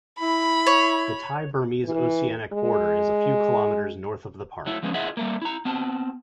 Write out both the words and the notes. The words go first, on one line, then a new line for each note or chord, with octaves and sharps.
The Thai-Burmese oceanic border is a few kilometers north of the park.
E4 B5
C#5
E3
G#3
F#3 A3 E4
F3 G#3 B3 C#4
E4 F4 G#4 D#5 E5 F#5
G3 A3 A#3
E4 A#5
B3 C4 A5